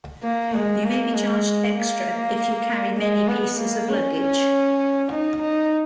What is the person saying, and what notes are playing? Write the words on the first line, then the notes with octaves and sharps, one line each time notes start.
You may be charged extra, if you carry many pieces of luggage.
A#3
G#3
A#3
G#3
A#3
G#3
B3
A#3
C#4
C#4
D#4
D#4